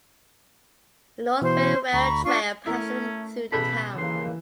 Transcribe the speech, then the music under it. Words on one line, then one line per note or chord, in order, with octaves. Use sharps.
The North Bend Rail Trail passes through the town.
B2 E3 C5 C6
D2 A#5 B5 C#6
D4 F4 C#6
A3 C#4 E4 A#4
A1 B2 G#4 A4 B5
D#2 C#3 E3 A#3 C6